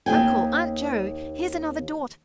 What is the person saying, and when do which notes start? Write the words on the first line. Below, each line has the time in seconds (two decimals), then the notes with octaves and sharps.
'Uncle, Aunt Jo, here's another daughter!
0.06 D#2 G#2 G5 G#5